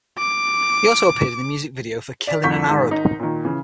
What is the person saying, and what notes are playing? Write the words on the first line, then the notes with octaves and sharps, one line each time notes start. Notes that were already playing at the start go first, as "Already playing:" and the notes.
He also appeared in the music video for "Killing an Arab".
D6
D5 B6
C2 F2 C#6 G6 B6
G#1 G#2
G#1 D#4
A#2 D#3
C#3 E3